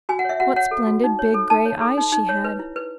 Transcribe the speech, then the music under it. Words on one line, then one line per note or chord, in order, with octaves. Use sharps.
What splendid big grey eyes she had!
F#4 G#5
F#5
C#5 E5
F#4 F#5
C#5 F#5
A4
F#4
D#4
C#5
A4
D#4 A5
C#5
A4
D#4
D#4
C#5
B4
E4
B4